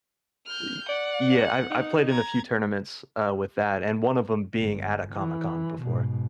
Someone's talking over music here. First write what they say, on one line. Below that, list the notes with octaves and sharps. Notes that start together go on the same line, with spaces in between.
Y yeah, I've I've played in a few tournaments, uh, with that, and one of 'em being at a Comic Con before.
F6 G6
D5 F#5
D#4
A#5 G#6
G1
E3
G#2 B2